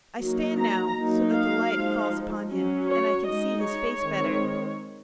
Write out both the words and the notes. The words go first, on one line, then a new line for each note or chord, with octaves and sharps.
I stand now so that the light falls upon him, and I can see his face better.
F#3 A#3 D#4
A#5
F#3 A#3 D#4
F5
F3 G#3 D#4
F#3 C#4
C#5
G#3 D#4 D#5
C#5
D#3 G#3 C4